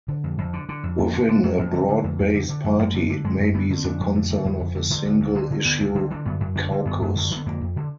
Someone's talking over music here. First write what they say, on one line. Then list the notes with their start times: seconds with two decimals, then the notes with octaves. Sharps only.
Within a broad-based party it may be the concern of a single-issue caucus.
0.08 D3
0.24 F2
0.38 F2
0.53 D3
0.69 D3
0.83 F2
0.99 F2
1.13 D3
1.29 D3
1.43 F2 F#3
1.59 F2
1.74 D3
1.89 D3
2.04 F2
2.19 F2
2.34 D3
2.49 D3
2.64 F#2
2.79 F#2
2.94 D3
3.09 D3
3.24 F#2 G#3
3.40 F#2
3.54 D3 B3
3.70 D3
3.84 F2 D4
4.00 F2
4.15 D3
4.30 D3
4.45 F2
4.60 F2
4.75 D3
4.90 D3
5.05 D2
5.20 D2
5.35 D3
5.51 D3
5.65 D2 B3
5.80 D2
5.95 D3
6.10 D3 D4
6.25 F#2 B3
6.40 F#2
6.56 D3 D4
6.71 D3
6.86 F#2 B3
7.01 F#2
7.16 D3
7.31 D3
7.36 B3
7.46 F2 A#3
7.61 F2
7.76 D3